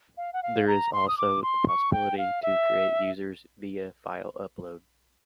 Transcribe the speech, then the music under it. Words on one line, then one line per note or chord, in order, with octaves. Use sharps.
There is also the possibility to create users via file upload.
F5
F#5
F5
A#5
C6
D#6
D6
C6
C#6
G5
F5
E5